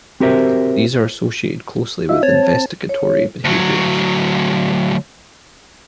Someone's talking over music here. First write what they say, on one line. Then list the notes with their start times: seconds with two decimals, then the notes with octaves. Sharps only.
These are associated closely with investigatory behaviors.
0.20 C4 F#4 G4 A#4 C5 E5
2.09 D#4 F4 E5
2.23 C4 C#5 A5
2.89 C#5
3.45 D2 F#3